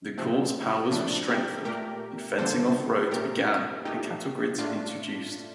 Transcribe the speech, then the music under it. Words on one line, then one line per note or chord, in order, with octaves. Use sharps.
The Court's powers were strengthened, and fencing of roads began and cattle grids introduced.
C3 F3 A3 C4
A#2 F3 A3 D4
G4 A#4
A#2 A3 G4 A#4
G2 D3 F3 A#3 A4 C5
A#2 A3 G4 A#4
A#2 A3 D#4 G4
A2 A3 D4 F4